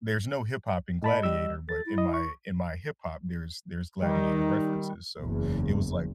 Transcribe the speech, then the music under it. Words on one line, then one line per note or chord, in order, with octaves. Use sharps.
there's no hip-hop in Gladiator, but in my in my hip-hop, there's there's Gladiator references, so it was like
A2 D#5 A5 B5
G3 E6
A4 A6
E4
D#5
C#6
D#3 G3 D#4
F#1 E2